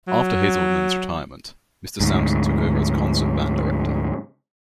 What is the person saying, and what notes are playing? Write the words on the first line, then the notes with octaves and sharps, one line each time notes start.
After Hazelman's retirement, Mr. Sampson took over as concert band director.
F#3
D2 G#2